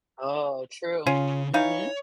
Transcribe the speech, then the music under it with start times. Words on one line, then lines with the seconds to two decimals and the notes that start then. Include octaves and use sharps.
Oh, true. Mhm.
1.07 C#3 C#4 F4
1.54 E3 D#4 C#5 F5